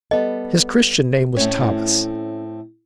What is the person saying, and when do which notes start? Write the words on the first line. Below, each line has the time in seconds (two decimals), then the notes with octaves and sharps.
His Christian name was Thomas.
0.11 G3 B3 A4 D#5
1.36 A2 A3 C4 C#4 C#5